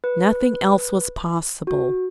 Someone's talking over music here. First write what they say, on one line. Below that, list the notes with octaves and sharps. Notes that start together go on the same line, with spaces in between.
Nothing else was possible.
B4
F#4